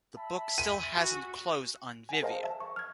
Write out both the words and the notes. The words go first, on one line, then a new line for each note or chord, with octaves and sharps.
The book still hasn't closed on Vivian.
E5 A5 B5
G5 G#5 C6 D#7
F#4 G#5
F#5 G#5
G#4 A#4 C5 D#5 F5 A5
E5 A5
C#6
F6 G#6